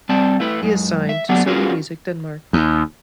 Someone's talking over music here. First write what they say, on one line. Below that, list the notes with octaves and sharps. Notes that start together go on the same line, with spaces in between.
He is signed to Sony Music Denmark.
G3 C4 D5 A5
A3 E4 B4
F#2 G#3
E5
F#3 A3 B3 D4 G4
C#4 F4 F#4 G#4 A#4 B4
D#2